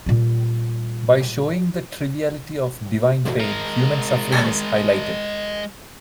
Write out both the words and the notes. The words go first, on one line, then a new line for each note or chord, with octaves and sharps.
By showing the triviality of divine pain, human suffering is highlighted.
A#2 G3
G#3 A#4